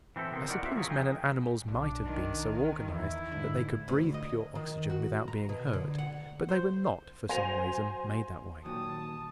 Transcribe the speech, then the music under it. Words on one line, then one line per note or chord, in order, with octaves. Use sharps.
I suppose men and animals might have been so organized that they could breathe pure oxygen without being hurt, but they were not, for some reason, made that way.
E3 C4 E4 A4
C3 B3 G#4 A#4 C5
D#4 E4 A#4 C#5 D5 F#5
B3 F4 F#4 C5 D5 E5
F3 F#3 A3 G#4 A#4 C#5
E2 C4 D#4 D#5 G5 G#5
B1 D4
D#3
E2 E4
G#2 D3
D2
D#5
D#3
F#4
A#5
B2
D3
F#5
C5
F#3 C5 G#5 A#6 D#7 F7
A#2 D#3 F#3 A5 D#6